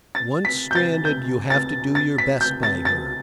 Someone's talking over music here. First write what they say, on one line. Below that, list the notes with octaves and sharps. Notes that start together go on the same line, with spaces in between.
Once stranded, you have to do your best by her.
A6
B6
G6
A6
G6
A6
A6
B6
G6
A6
A6